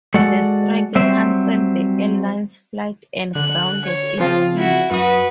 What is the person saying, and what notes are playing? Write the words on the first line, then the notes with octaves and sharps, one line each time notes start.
The strike cancelled the airline's flights and grounded its fleet.
G#3 F#4 A4 D5 F#5
F#3 G3 C4 C5 E5
D3 F#6
C#5
C#3 F3 C4 F4
E4 F#4
F#2 F#4 B4 D#6